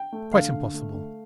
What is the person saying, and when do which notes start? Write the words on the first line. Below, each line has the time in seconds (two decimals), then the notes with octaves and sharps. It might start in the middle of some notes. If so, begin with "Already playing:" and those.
Quite impossible!
Already playing: G5
0.12 A3
0.33 D3 F5
0.54 D3
0.74 A3
0.94 A3